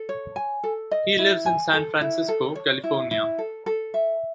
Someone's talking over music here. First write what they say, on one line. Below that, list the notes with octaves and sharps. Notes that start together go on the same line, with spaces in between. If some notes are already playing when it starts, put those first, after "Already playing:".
He lives in San Francisco, California.
Already playing: A4
C#5
G#5
A4
D#5
E4
G#5
A4
E4
A4
C#5
E4
E4
A4
A4
E5